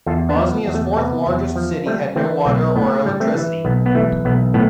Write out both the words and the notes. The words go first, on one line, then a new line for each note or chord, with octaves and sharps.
Bosnia's fourth-largest city had no water or electricity.
E2 F4 A4
B3 D4
F3
B3
E2
A3
C3 B3
E2
F3
G3 A3 C4
E3 A3 C4
B1 A3 C4
A2 B3
G3
A3 C4
E3
B1 B3
B3
E3 A3
B1 B3
A2 B3